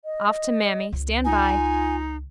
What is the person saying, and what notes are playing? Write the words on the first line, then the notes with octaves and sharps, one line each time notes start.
Off to mammy. Stand by.
D#5
C#2
D#4 F4 G#5